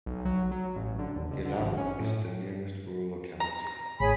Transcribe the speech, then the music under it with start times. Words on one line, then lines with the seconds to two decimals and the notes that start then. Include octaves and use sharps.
Yelan is the nearest rural locality.
0.06 B1
0.25 F#3
0.51 F#3
0.76 A1
0.99 D3
1.16 D#1
1.31 C#2
1.45 D3
1.59 G#1
1.77 C#4
2.00 A2
3.40 A#5
4.00 A1 G#4 C#5 G#5 B5